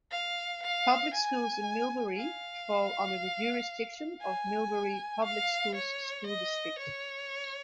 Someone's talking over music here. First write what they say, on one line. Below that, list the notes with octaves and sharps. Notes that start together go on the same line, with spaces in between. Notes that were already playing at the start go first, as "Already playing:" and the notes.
Public schools in Millbury fall under the jurisdiction of Millbury Public Schools school district.
F5
F5
G#5
F5
G#5
F5
C#5
D#5
C#5